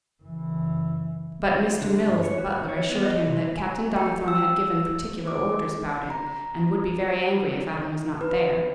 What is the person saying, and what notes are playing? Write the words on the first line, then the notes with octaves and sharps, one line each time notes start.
But Mr. Mills, the butler, assured him that Captain Donnithorne had given particular orders about it, and would be very angry if Adam was not there.
F#1 E3
D3
D3
G2
C#5
F#4
D#2
C#5
B3
D#5
C3
G#5
G5
E6
D6
A#5
B4